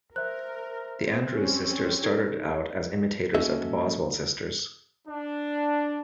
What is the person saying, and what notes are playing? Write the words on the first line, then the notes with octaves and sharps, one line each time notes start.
The Andrews Sisters started out as imitators of the Boswell Sisters.
A#4 C5 E5 F#6
C4
G3 C4 C#4
D#4 A4 G#6
A#3 C#4 F#4 A4 D#5 E5
D4